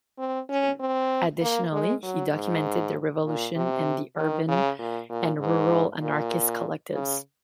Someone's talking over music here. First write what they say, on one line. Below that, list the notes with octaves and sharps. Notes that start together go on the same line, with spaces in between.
Additionally, he documented the revolution and the urban and rural anarchist collectives.
C4
C#4
C4
A#3
G#3
F#3
G#2
A#2
C3
D#3
C#3
A#2
A#2
G#2
A#2
C#3